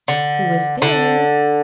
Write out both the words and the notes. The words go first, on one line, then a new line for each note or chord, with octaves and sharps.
"Who is there?"
D3
D3